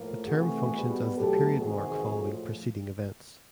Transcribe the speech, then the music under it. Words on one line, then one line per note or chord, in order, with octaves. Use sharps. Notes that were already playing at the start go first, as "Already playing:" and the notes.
The term functions as the period mark following preceding events.
Already playing: A2 F3 A#3
C3 E3 A3 F#4 G#4
B2 G3 B3
E2 B2 F#3 A3 G4 A4
E2 C3 D#3 G#3 F#4 G#4
A2 F3 G#3